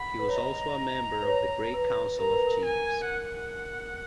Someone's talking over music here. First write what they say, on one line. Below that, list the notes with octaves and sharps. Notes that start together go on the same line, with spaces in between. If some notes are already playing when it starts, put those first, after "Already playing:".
He was also a member of the Great Council of Chiefs.
Already playing: F#5 B5
B4
C#5
D#5 A#5
B4
C#5
B4
A#4 A#5
B4
A#4
G#5
F#5